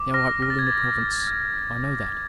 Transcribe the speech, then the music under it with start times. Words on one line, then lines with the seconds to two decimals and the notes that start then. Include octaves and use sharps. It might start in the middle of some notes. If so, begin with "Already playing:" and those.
Thou art ruling the province--I know that.
Already playing: D6
0.14 F6 A#6
0.42 F6 A#6
0.50 A6
0.59 G#6
0.67 D6 A6
0.99 D6
1.27 F6